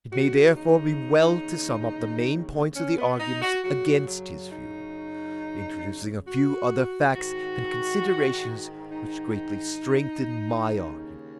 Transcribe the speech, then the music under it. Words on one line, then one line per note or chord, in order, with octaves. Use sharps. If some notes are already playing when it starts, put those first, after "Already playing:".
It may therefore be well to sum up the main points of the arguments against his view, introducing a few other facts and considerations which greatly strengthen my argument.
D#2 C#3 F#4
D#4
C#4
B3
D#4
F#4
F#2 C#3 F#4
F#3
D#4
F#4
G#2 D#3 F#4
D#4
D#2 C#3